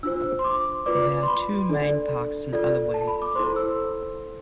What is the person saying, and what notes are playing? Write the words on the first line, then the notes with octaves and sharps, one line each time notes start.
There are two main parks in Alloway.
D4 F4 C5 E6
C6
D6
F4 B4 D5 D6
C6
B5
D4 A4 D5
F4 A4 D5
A5
B5
D6
E4 A4 C5 C6
E6